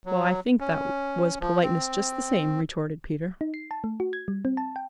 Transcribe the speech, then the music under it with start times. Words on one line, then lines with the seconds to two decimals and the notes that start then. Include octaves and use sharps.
"Well, I think that was politeness just the same," retorted Peter.
0.05 F#3
0.60 C#4
1.41 F3
1.62 C4
3.41 D#4
3.54 C7
3.71 A5
3.84 A3
4.00 F#4
4.13 G#6
4.28 G3
4.45 C4
4.57 A5
4.76 G5